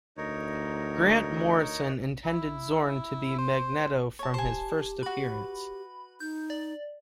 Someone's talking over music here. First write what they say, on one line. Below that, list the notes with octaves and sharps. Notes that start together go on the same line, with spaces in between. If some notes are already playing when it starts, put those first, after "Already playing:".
Grant Morrison intended Xorn to be Magneto from his first appearance.
D2 D#4 A#4 C#5
E4
C5
C#5 A5
G4 C5 G#5 A5
F#4 B4 B5
D#4 G6
D5